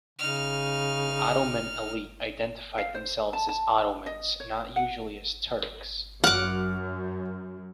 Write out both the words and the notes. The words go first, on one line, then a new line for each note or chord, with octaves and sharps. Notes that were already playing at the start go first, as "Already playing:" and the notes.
The Ottoman elite identified themselves as Ottomans, not usually as Turks.
C#3 D#4 F6
F5
C5
A5
A5
D#5
C#5
F#5
F#2 F#3 F#4 F#5 D6 F6